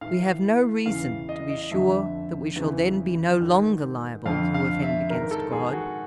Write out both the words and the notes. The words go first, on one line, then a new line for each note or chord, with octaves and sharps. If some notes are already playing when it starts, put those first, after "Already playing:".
We have no reason to be sure that we shall then be no longer liable to offend against GOD.
A2 E3 F5
E2 C#3 E3 F5
D#5
D#5
F2 D3 E5
E2 C#3 E3
G#2 D#3
F2 D3 F5
F5
E5
G#2 D#3 A#4
A4
G#4
F#4